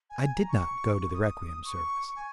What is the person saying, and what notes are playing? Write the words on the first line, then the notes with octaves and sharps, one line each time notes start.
I did not go to the requiem service.
G#5
G#5
A#5
C#6
D#6
C#6
G#5